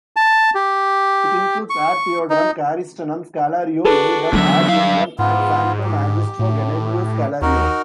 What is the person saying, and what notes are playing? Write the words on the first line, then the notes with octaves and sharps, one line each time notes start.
It includes "Ad Theodorum Carystenum", "Scholario," "Eidem", "Ad eundem" and "Sancto magistro Gennadio Scholario".
A5
G4
C#6
D#4
D4 F#4 G#4 A4 B4
E2 D3 F#3 E5
G2 F5
G#2 B3 F4
G4
A2
D#2 D#4 F#4 A#4